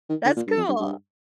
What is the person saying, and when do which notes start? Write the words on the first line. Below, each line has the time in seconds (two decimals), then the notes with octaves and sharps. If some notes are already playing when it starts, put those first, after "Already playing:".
That's cool.
0.10 D#3
0.25 D3
0.36 A#2
0.47 G2
0.57 F2
0.68 G2
0.79 G2